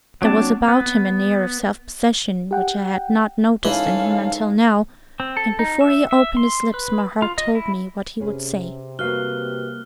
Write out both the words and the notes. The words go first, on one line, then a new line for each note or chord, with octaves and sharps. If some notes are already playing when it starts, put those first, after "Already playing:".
There was about him an air of self-possession which I had not noticed in him until now, and before he opened his lips my heart told me what he would say.
F#3 A#3 C4 D4 A5
B3
G4 F#5 G5
G#2 E3 C#4 A4 F5
C4
A4
D#4
E5
E5
C6
B4
F4
D#5
E4
C3 C#4 G#4 B4
G3 A#3 F#4 B4 F5 F6 F#6 G7